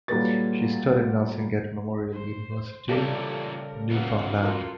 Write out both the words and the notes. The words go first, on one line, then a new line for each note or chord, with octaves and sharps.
She studied nursing at Memorial University, Newfoundland.
A#2 F#3 G3 A4 B4 A6
C5
A#2 C#3 E3 G3 G4 A4 A#4 D5
F#2 E3 B3 F5
F4 F#4 A4 A#4